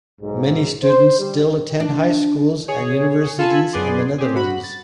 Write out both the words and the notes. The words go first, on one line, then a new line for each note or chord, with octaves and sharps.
Many students still attend high schools and universities in the Netherlands.
B1 G#2
C5
G3
D4
G#4 C#5
F4 A4 G#5 A5 B5
F#2 B3 G#4 D5 C6
C4 G4 G#4
F#4 B5
A6